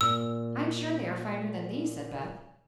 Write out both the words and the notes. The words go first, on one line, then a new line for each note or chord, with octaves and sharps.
"I'm sure they are finer than these," said Beth.
A#2 E6